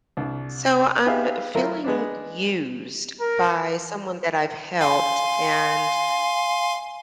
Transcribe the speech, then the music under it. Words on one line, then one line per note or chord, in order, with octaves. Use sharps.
So, I'm feeling used by someone that I've helped, and
C2 D4
D#4 G4 G#4 B4 E5 F5
F#3 A3 E4 F4 A#4
G#3 B3 D4
A#4
F5 G#5 C6